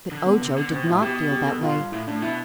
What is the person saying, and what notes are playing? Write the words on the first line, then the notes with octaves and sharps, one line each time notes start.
But Ojo did not feel that way.
D3
B3
C3
D3
B2 C4
A2 E4
B2 G4
G4
A4
B2 F4
G2
A2 E4
A2 D4
B2 E4